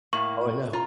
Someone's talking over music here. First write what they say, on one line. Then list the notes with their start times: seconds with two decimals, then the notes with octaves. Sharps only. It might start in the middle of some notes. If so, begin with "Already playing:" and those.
Oh, I know.
0.13 A2 A#3 C#6
0.73 F4 A#5